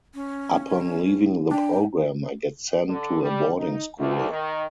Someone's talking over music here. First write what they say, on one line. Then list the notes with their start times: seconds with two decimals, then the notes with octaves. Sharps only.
Upon leaving the program I get sent to a boarding school.
0.14 C#4
1.51 D4 G5
2.87 D3
3.22 G3
3.57 D#4
3.97 D2
4.29 D#3